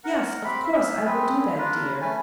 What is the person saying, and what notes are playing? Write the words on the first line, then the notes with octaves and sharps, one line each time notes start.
'Yes, of course; I will do that, dear.
A#4 F#5
C4 G4 B5
E5 F5
C4 G#4 B4
D4 F4 A#4 B4
A3 C#4 B4 G#5